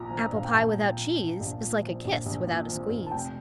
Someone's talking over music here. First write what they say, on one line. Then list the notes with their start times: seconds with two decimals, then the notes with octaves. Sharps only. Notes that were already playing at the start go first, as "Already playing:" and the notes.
Apple pie without cheese Is like a kiss without a squeeze.
Already playing: A#1 A#2 A#5
0.11 F3
0.32 A#1 F5
0.45 G5
0.54 A#1 A5
0.76 A#2
0.97 F3
1.18 A#1
1.40 A#1
1.61 A#2
1.83 F3
2.05 A#1
2.26 A#1
2.47 A#2
2.69 F3
2.90 A#1
3.06 A5
3.11 F1 G5